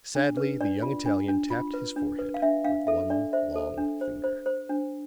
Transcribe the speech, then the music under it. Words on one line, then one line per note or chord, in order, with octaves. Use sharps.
Sadly the young Italian tapped his forehead with one long finger.
D4
B4
D4 D5
F4
D4
D4
F4
B4
D4
B4
F5
D4 E5
D4 F5
A4 E5
D4 D5
C5 E5
A4
D4
C5
C5
C5
D4